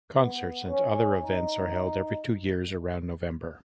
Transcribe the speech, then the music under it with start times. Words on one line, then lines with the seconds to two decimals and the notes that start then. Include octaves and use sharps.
Concerts and other events are held every two years around November.
0.15 B3
0.68 C#4
1.22 D#4